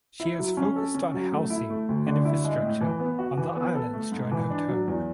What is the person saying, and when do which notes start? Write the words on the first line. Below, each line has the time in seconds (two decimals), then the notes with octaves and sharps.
She has focused on housing and infrastructure on the islands during her term.
0.20 E4
0.39 F#3
0.57 C#4
0.76 A4
0.95 C#4
1.14 F#3
1.32 A3
1.50 E4
1.70 A3
1.89 D2
2.07 D3
2.25 E4
2.44 G#3
2.63 A2
2.81 E3
3.00 B3
3.19 F#4
3.38 E3
3.56 B3
3.75 A4
3.93 A3
4.12 G#2
4.32 E3
4.50 D4
4.68 F#3
4.88 E2